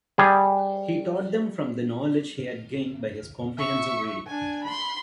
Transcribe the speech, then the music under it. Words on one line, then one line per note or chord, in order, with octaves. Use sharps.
He taught them from the knowledge he had gained by his comprehensive reading.
G3 G#4
E5 C#6
D4 G#5
B5 C6